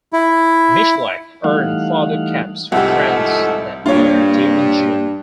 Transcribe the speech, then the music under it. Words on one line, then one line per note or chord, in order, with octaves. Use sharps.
Michalak earned further caps for France that year during June.
E4
E3 G3 A3 D#4 F5 F#5
C2 G#2 F3 A3 G4 F#5
G2 A#3 D4 F4 C#5